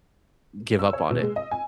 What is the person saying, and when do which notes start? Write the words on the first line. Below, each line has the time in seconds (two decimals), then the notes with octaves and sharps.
give up on it.
0.79 E6
0.93 C#5
1.10 B2
1.22 G#3
1.36 D#5
1.51 G#5